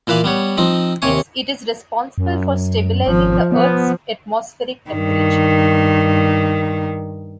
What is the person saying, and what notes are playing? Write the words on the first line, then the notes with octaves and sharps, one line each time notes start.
It is responsible for stabilizing the Earth's atmospheric temperature.
A#2 E3 B4 F5 D6
G3 B3 C#5
F3 C4 D#4
D#2 C3 C#5 G#5 C#6
F#2
G#1 F3
F3 B3
G2 D#3